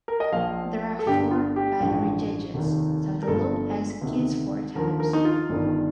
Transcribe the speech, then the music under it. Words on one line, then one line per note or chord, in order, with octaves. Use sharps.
There are four binary digits, so the loop executes four times.
A#4
D#5
A#1 A#2 F3 F5
A4
G1 G2 D3 G4
F4
G4
A1 G2 D3 F3
F1 D#2 D#3
A#4
G1 G2 F3 A4
D2 C3 D#3
D#2 D3 F3 A#4
A#4
D#4
F4
G1 G2 D#3